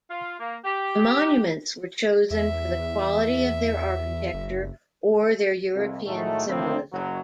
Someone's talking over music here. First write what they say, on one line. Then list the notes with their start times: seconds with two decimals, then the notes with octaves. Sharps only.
The monuments were chosen for the quality of their architecture or their European symbolism.
0.10 F4
0.40 A#3
0.65 G4
2.31 E2 E5
4.34 F#1
5.75 C2 F2
6.05 A2 D#3 F#3 G#3 A3
6.47 D2 A2 C3 F3 A#3 C4
6.92 F#1 F#3